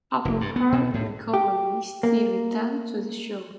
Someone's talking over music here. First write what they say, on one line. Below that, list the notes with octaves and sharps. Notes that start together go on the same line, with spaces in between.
Upon her recovery she returned to the show.
F1
G2
B3
B2
A2
G4
A#3